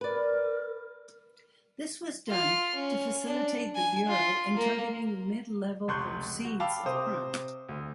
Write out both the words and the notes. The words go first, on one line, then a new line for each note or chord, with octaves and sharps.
This was done to facilitate the Bureau in targeting mid-level proceeds of crime.
A#4 B4 D5
F4 F6
C#4
D4
G#5
F4
A#3
F1 C#2 C6 C#6 F#6 G6
F#4
F5 G5 A5 B5 D6 E6
C3 C5 D#6
D2